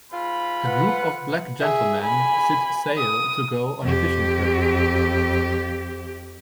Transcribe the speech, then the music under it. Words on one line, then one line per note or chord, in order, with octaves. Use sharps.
A group of black gentlemen sit sail to go on a fishing trip.
G#2 F4 B5
B4 F#5
G#4 E5
G#5 B5
D#6
F2 G4